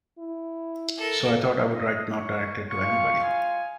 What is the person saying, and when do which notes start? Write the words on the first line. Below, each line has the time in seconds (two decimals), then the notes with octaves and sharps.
So I thought I would write it not directed to anybody.
0.19 E4
0.97 A4 A#4
1.73 D#5
2.12 C#5
2.70 G#3 F4 F5 C#6
3.24 G#5